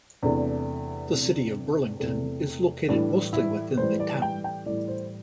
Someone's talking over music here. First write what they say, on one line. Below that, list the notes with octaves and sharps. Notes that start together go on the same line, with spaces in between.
The City of Burlington is located mostly within the town.
E2 C3 A3 D4
E2 C3 A3
E2 C3 A3
A2 E3 G3 D4
E4
A2 E3 G3 C5
D5
G5
G5
A2 E3 G3 D5
C5